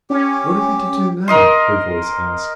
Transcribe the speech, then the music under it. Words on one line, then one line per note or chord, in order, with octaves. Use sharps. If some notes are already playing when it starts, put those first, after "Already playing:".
"What are we to do now?" her voice asked.
C#4 G4
A#4 D#5 C6